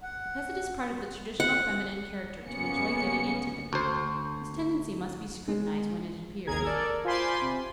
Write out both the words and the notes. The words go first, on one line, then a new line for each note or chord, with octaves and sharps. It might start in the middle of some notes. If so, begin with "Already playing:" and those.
Because it is part of the traditional feminine character to enjoy giving in to the man, this tendency must be scrutinized when it appears.
F#5
F#5
G1 C#3 A#3 B3 C#4 C#7
D2 C5
G#3
G#1 D#2 G#4 A#4 G#6
A4 A#4 D5
F4 C5 G#5 B5 C6 D6
C3